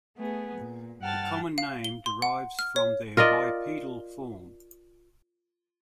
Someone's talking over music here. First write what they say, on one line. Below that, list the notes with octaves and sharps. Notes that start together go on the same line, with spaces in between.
The common name derives from their bipedal form.
A3 B3 G#4
A#2
G2 F#5 G5 A5 F6 A6
F5
G7
C6
F#5
F6
C#5
F4 A#4 D5 D#5